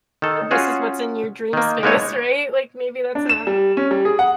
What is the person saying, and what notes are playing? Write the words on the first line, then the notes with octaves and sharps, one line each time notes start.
and this is what's in your dream space, right? Like, maybe that's not
D#3 A4
C#4 F4 F#4 G#4
D#3 A#3
G#3 A#3 B3 D#4 E4 C#5
D4
E7
G3
C#4
G3
G#4
F#5